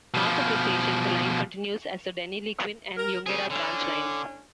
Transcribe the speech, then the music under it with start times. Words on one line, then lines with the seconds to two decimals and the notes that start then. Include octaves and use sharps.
North of the station, the line continues as the Deniliquin and Yungera branch lines.
0.14 B2 F3
2.97 A#4
3.26 A#2 C#3 C4 G#4
3.50 A2 D3 C#4 D4